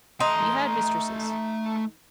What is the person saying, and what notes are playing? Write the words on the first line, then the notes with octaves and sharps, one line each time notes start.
He had mistresses.
A3 D#4 C6